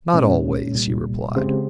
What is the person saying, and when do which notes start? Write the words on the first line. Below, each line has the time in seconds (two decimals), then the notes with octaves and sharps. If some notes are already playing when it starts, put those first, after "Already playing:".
"Not always," he replied.
0.13 C2 A#2 G#3 C#4
0.74 C2 A#2 G3
1.36 C#3 G#3 C4 G4 C5